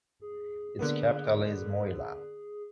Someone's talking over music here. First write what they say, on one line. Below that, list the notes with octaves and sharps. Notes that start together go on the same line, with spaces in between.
Its capital is Mouila.
G#4
D3 A#3 B3